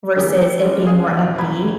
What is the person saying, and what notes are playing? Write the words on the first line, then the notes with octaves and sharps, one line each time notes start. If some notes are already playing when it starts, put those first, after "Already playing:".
versus it being more upbeat,
D3 E3 A#3 E4 G4 G#4
A4
G3 G#3 C#4 F#4
C#4 G#4 F5 F#5
A1 E2 B2
D#1 F#2 B5 G#6